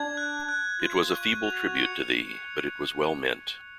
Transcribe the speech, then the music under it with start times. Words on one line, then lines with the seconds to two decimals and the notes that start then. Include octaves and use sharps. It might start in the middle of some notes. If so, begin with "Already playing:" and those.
It was a feeble tribute to thee, but it was well meant.
Already playing: D4 G#6
0.17 F#6
0.49 F#6
0.80 F4 G#6
1.12 C#6
1.43 F#4 F7
1.76 C#7